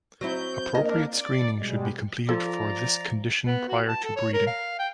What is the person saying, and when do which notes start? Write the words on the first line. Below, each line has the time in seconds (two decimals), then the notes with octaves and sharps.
Appropriate screening should be completed for this condition prior to breeding.
0.21 F#3 C4 E4 G6
0.75 A#3 D4 A#4 D#5
1.13 D5
1.57 B2 G3 G#3
2.29 F3 A4 D5 A#5
3.46 B3
3.68 F#4
3.88 A5
4.04 A4
4.16 C#5
4.33 A#4
4.47 F5
4.79 G5